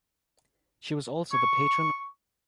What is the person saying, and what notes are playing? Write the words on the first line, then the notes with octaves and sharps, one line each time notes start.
She was also the patron of the Women's Institute of Negeri Sembilan.
C#6